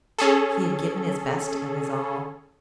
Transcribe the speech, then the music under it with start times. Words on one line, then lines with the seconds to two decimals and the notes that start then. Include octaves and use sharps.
He had given his best and his all.
0.19 C#4 G#4 A4